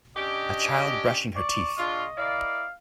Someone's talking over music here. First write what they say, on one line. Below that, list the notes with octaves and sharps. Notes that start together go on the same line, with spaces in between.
A child brushing her teeth.
C#4 D4 G4 D#5
D5 C#6
G#3 D4 F4 D#5
A#3 E4 D5 F5